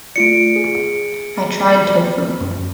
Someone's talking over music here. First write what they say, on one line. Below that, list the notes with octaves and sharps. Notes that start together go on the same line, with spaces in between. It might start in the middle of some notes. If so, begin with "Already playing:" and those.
I tried tofu.
A3 F4 D5 C#7 D7
G#4
F#2